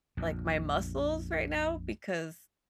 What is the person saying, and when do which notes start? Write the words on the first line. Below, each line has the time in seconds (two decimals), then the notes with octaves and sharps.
like, my muscles right now because
0.17 A#1 F2